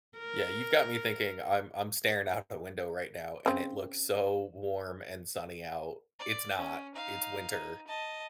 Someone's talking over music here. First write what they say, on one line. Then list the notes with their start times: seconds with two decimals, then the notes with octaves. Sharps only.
Yeah, you've got me thinking I'm I'm staring out the window, right now, and it looks so warm, and sunny out. It's not. It's winter,
0.18 A#4
3.46 C#3 C4
6.19 D5
6.58 C#4
6.94 D#4 F5
7.51 D#4
7.87 D#5 A5